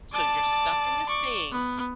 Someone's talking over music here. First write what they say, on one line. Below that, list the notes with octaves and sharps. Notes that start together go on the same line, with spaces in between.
So you're stuck in this thing
D5 A5
D5 C#6
B3